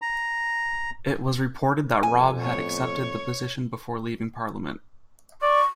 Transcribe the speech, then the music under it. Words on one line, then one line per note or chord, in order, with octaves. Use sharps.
It was reported that Robb had accepted the position before leaving Parliament.
A#5
F2 G#5
A2 B3 C#5 C#6
C#5
D5 C#6